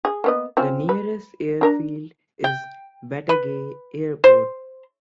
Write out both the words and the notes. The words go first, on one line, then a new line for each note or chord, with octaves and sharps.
The nearest airfield is Batagay Airport.
G#4
A#3 B3 D#5
C4 C#4 F4
B4
D4 A#4 A#5
G5
B4
C5